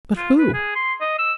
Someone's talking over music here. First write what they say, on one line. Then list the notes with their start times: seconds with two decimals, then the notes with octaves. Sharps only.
"But who?"
0.17 F4
0.39 B4
0.54 G#4
0.75 C6
1.01 D#5
1.19 E6